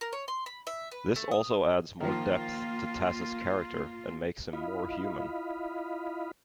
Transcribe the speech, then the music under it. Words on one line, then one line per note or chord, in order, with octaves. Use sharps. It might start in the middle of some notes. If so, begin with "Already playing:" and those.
This also adds more depth to Tas's character and makes him more human.
A#4
C#5
C6
B5
E5
B4
A3
D#6
D#3 F3 A#3 F4
E4 F4 D#5 F5 B5